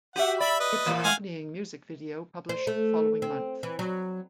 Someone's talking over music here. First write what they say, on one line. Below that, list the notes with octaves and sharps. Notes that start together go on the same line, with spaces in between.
Its accompanying music video published the following month.
F#4 G4 E5 F#5
D5 E5 B5
B4 D#5
A#2 E3 A#3
F5 F#5 G#5
C5
A3
C4
E3
F#3